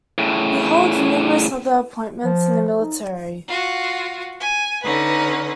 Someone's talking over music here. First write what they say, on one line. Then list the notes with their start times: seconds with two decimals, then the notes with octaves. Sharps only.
He holds numerous other appointments in the military.
0.18 A2 C#3
2.25 F3
2.80 D#4
3.48 F4 F#4
4.40 G#5
4.83 D3 C#4 D#4 B4